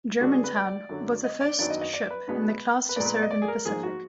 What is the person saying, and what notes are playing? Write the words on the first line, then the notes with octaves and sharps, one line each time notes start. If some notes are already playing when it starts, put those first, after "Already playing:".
"Germantown" was the first ship in the class to serve in the Pacific.
D3 G#3 D4 F#4
G#4
B4
D5
F#2 D3 F#3
D#5
D5
F#2 D#3 F#3 B3 D4 D5
D#5
D#5
D5
B4
B2 G#3 B3 D4
B4
A#2 G#3 B3 D5
B4
D5
D#5
D5
G#4
A#4
G#2 F3 A#3 G#4
F#4